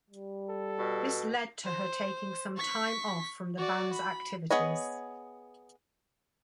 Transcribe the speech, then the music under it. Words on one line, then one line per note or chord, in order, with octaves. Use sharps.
This led to her taking some time off from the band's activities.
G3
A4
B2
C5
C#6 B6
F#4 D5
B5
B3 G#4 C#5 D#5